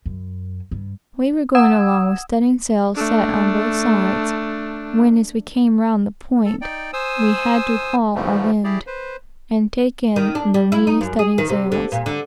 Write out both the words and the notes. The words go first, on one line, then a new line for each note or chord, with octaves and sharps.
We were going along with studding-sails set on both sides, when, as we came round the point, we had to haul our wind, and take in the lee studding-sails.
F#2
G2
F#5 D#6 E6 G#6 E7
A3 D4
A4
D#4 D5 G5
C5 G#5 D#6 E6
G#2 D3 E3 F3 G3 A3
E4 G4 G#4 D5
B4 C5
D#3
D4
G3
E4
D#4
F#2
G#4
D#3
C3
D3
A#2
D3